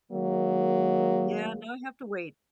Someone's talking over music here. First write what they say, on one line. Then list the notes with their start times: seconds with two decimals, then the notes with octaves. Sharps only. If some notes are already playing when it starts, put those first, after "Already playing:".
Yeah, now I have to wait.
0.12 D#3 F#3 G#3 A#3